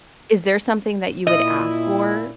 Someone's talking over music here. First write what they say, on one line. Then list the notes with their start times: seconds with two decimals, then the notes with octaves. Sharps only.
is there something that you would ask for,
1.27 A#2 E4 D#5